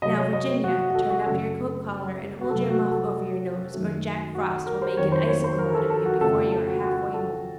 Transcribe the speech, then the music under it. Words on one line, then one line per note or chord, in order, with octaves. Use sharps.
Now, Virginia, turn up your coat collar and hold your muff over your nose, or Jack Frost will make an icicle out of you before you are half-way home.
C3 F#3 A3 D#5
C#5
D#5
C#5
F#4
F#4
F#4
A4
F#4
F#2 C#3 A3 A4
F#4
C3 F#3 A3 A4
F#4
A4
F#2 D#3 F#3 A3
F#4
A#4
C5
F2 D#3 F#3 C#5
C5
C#5
C5
A#4
A#4
A4
A4
F#4
F2 C#3 F3 A3 A4
A4
F#4
F#4
A4